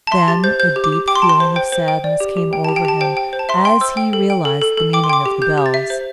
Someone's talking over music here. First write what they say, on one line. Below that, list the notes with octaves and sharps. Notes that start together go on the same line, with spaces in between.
Then a deep feeling of sadness came over him as he realized the meaning of the bells.
A5
E5 C6
G4 A6
C5 G6
C5 G6
G4
D6
G4
G5 D6
C6
G5 A5
C6
C5
C5 G5
C5
G5
D5
G4
G4
G5
G4 A5
G5
G4 A5
C5 G5
G5
C5
A5
E5 C6
G5 C6
C5 E6
G5
A4
G5
A4
A4
A4
G5 D6
C6
G5 D6
G4
G4 G6
G4
A6
E5
C5